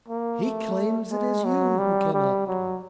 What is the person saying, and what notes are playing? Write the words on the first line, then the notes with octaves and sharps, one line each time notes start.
"He claims it is you who cannot talk."
A#3
A3
G#3
F#3
G3
G3
F#3